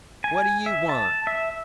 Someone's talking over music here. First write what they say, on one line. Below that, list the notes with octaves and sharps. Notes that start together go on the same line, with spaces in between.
"What do you want?"
G#5
E5
A5
E5